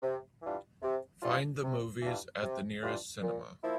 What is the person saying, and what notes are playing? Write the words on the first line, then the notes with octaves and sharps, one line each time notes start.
Find the movies at the nearest cinema.
C3
E3 G3 D4 F4
C3
E3 G3 D4 F4
C3
E3 G3 D4 F4
C3
E3 G3 D4 F4
A#2
F3 A#3 E4